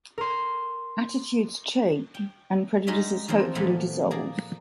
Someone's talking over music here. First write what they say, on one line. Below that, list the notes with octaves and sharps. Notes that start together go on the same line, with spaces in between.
Attitudes change and prejudices hopefully dissolve.
A#4 C6
G5
G3 G#3 D#4 F#4 E5 C6
E3 F3 G#3 C4 D#4
A#2 E3 F3 G3 A3 B3
A#3 G#4 D5